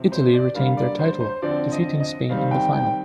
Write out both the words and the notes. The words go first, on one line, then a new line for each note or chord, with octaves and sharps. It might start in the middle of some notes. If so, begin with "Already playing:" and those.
Italy retained their title, defeating Spain in the final.
Already playing: C3 F3 C4
C5
D5
D3 G3 A#3 F5
D5
C5
C5
D3 F3 C4 D5
D#5
D#5
D#3 G3 C4 F5
G5
G5